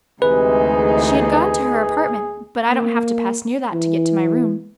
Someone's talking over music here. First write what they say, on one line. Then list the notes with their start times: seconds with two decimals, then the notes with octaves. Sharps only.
She had gone to her apartment, but I don't have to pass near that to get to my room.
0.22 D2 C3 E3 G#3 D#4 G#4 B4
2.71 A#3
3.74 E3